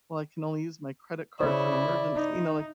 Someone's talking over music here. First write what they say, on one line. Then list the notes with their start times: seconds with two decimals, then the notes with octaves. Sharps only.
"Well, I can only use my credit card for an emergency" you know, like
1.40 C#3 E4 C5 D5
2.15 D#4